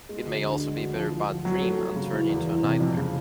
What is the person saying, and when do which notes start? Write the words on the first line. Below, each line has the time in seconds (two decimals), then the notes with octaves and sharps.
It may also be a very bad dream and turn into a nightmare.
0.09 G#3
0.26 D2
0.43 D3
0.60 G#3
0.77 D2
0.94 F3
1.11 F3
1.28 F3
1.45 F#3
1.62 A3
1.79 F#3
1.96 C#3
2.12 E3
2.29 E2
2.46 E2
2.63 C3
2.80 F2
2.97 C#3